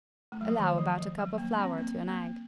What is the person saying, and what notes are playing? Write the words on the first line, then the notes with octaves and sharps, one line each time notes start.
Allow about a cup of flour to an egg.
A3
F#3
F3
D#3
F3
F3
F#3
A#3
C4
A#3
A#3